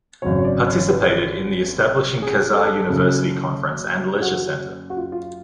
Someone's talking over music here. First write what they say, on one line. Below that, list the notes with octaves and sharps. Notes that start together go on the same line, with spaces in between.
Participated in the establishing Khazar University Conference and Leisure Centre.
G#1 F#2 C#3 F#3 C#5
C#5
D5
C#5
B4
G#4
A4
F#1 F#2 C#3
F#4
F#4
F4
F4